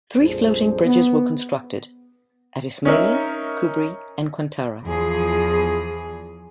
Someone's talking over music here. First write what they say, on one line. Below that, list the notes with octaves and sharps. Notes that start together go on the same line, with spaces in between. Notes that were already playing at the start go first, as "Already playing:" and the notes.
Three floating bridges were constructed, at Ismailia, Kubri and Qantara.
A#1 F2 G3 D4 G#4 C5
B3
C#4 D#4 A#4 E5
E2 F3 G#4